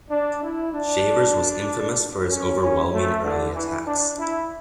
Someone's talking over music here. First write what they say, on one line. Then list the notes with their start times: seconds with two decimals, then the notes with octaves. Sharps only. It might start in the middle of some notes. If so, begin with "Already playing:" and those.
Shavers was infamous for his overwhelming early attacks.
0.10 D4
0.42 E4
0.73 D4
2.30 C#4
2.61 C#4
2.93 A3
3.24 D3
3.55 E3
3.87 D4
4.18 E4